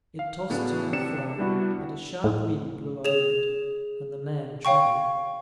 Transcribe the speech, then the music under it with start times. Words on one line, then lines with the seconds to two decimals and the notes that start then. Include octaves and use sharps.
It tossed to and fro, and a sharp wind blew over it, and the man trembled.
0.19 F5
0.50 A2 C#3 B3 D4 F#4
0.93 C3 D4 C#7 E7
1.38 G3 B3 D4 E4 F#4
2.24 A2
3.05 G#4 C#5 E7 F7
4.65 C#5 F5 G5 C#6